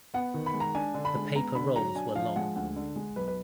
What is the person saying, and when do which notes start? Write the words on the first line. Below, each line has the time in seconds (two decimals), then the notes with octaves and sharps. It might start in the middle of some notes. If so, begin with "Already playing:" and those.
The paper rolls were long.
0.14 B3 F#5
0.34 D#3
0.46 B5
0.54 G#3
0.60 A#5
0.75 D4 G#5
0.94 D3
1.05 B5
1.15 G#3
1.35 B3 A#5
1.55 D3 B5
1.75 F#3 A#5
1.95 D4 G#5
2.16 F3 F5
2.36 G#3 F#5
2.56 D2 F#5
2.76 D3
2.96 G#3
3.16 B1 B4
3.28 B4